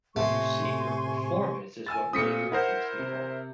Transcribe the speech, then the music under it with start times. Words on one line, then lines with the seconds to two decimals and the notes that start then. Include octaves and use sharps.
when you see their performance is what really irritates people.
0.16 A2 C3 A3 G#5 C6 C#6
1.86 G#5 E6 A6
2.13 A#2 A3 C4 D#6 B6 C#7
2.52 E4 A#4 C5 F#5
2.99 C3